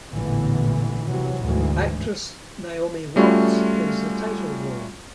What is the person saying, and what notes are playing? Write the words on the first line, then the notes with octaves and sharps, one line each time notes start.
Actress Naomi Watts plays the title role.
A1 E2 A#2 D3 E3
C3 E3 F#3
D2 G#2 E3
G3 A3 C#4 F4 F#4